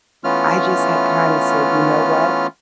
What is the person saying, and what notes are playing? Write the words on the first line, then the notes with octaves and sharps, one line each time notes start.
I just had kinda said, "You know what"
E3 A3 B3 C#4 F4 F6